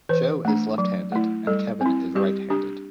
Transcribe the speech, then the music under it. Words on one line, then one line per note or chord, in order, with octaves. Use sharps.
Joe is left-handed and Kevin is right-handed.
E3 B4
A3 D4
F#3
A3 E4
G3 A4
C4 E4
G3 G4
D4 G4